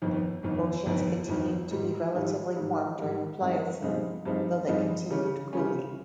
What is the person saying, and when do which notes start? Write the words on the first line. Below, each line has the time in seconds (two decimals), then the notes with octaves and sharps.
Oceans continued to be relatively warm during the Pliocene, though they continued cooling.
0.02 G1 F2 D#3
0.43 G1 F2 D#3
0.86 G1 F2 D#3
1.28 G1 F2 D#3
1.71 G#2 D#3 G3
2.14 G#2 D#3 G3
2.56 G#2 D#3 G3
2.99 G#2 D#3 G3
3.41 G2 F3 G#3 C4 D#4
3.82 G2 F3 G#3 C4 D#4
4.25 G2 F3 G#3 C4 D#4
4.68 G2 F3 G#3 C4 D#4
5.11 C#3 G3 C#4
5.53 C#3 G3 C#4